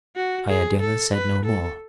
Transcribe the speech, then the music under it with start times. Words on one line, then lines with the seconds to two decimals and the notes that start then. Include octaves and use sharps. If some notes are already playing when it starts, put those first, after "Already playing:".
Iadilla said no more.
0.16 F#4
0.49 G#4
0.81 A4
1.14 B4
1.45 A4